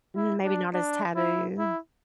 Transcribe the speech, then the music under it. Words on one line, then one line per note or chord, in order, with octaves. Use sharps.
Mm, maybe not as taboo.
E4
D4
D4
E4
E4